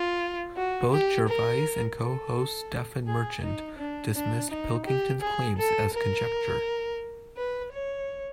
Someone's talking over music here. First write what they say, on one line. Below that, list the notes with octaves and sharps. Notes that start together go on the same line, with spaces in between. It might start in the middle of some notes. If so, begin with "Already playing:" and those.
Both Gervais and co-host Stephen Merchant dismissed Pilkington's claims as conjecture.
Already playing: F4
F#4
G4
A#4
A4
G#4
D#4
D4
D4
D#4
G4
G#4
A4
A#4
B4
C#5